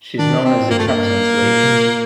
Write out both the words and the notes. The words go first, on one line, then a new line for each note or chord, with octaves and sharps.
She is known as the Captain's Lady.
D#3 D4
C4
A2
G2 A#3
A3
F#2 A#3
G2
A2
A#2
C3
A#2